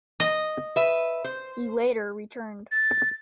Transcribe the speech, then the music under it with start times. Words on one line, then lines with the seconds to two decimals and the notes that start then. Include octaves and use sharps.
He later returned.
0.20 D#5
0.76 B4 E5
1.24 C5
2.71 A6